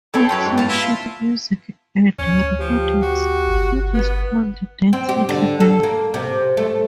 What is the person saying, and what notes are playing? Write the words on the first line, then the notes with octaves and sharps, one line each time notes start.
On some sheet music and recordings it is called "Dance Little Bird".
A4 C#5 G5 A5 B5 C6
F#2 B4 C#5 G5 A5
G#2
B3 F5 A5
E4 F4 E5
D2 C#4
F3 G4
F#4
G1
B3
C4
G4
D3
A4
A#3
C3
A3